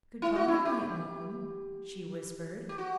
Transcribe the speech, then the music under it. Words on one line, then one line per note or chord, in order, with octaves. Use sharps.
"Good-bye, my own," she whispered.
E4
F#4
E4
G4
G4
F#4